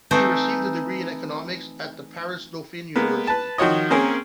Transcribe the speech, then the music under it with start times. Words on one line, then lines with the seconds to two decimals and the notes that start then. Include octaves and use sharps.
He received a degree in economics at the Paris Dauphine University.
0.11 E3 A3 C4 D#4
2.96 G#3 A#3 B3
3.27 B4 A5
3.58 D#3 F3 F#4 C#5 D#5
3.90 A#3 C4 C#4 G#4 A#4